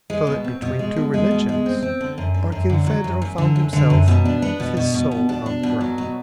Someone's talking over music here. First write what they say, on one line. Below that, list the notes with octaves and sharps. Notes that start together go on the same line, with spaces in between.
So that between two religions, Barkilphedro found himself with his soul on the ground.
G#3
B2
C4
B2
G#3
B2
G#3
B2
G#3
C4
C4
D3
F#2
D3
F#2
D3
F#3
F#2
F#2
D3
F#2
D3
F#2
B2
D4
B3
B2
B2
B2
B2
D4
D4
B2
F#3
B2